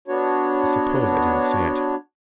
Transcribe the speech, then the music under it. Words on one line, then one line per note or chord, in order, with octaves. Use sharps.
I suppose I did say it.
B3 D4 F#4 C#5